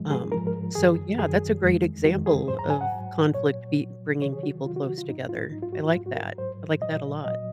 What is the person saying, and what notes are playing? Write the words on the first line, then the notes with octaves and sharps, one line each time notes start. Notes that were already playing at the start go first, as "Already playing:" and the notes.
Um, so, yeah, that's a great example of conflict be bringing people close together. I like that, I like that a lot.
Already playing: G#2 F3 G#3
G#4
G#2 F3 G#3 A#4
A#4
F#2 D#3 F#3 G#4
F#2 D#3 F#3 G#4
F2 D#3 G#3
F2 D#3 G#3 F#4
G#4
G#2 F#3 C5
A#5
G#5
F#5
G#2 F#3
A#2 F#3 C#5
A#2 F#3
C3 D#3 F#3 C#5
G#4
F#4
C3 D#3 F#3 F4
F#4
F#4
F4
G#2 F#3 D#4
F4
G#2 F#3 D#4
F4
F#4
F4
G#2 F#3 F4
F#4
A#4
G#2 F#3 C5
A#2 F#3 D#5
A#2 F#3 D#5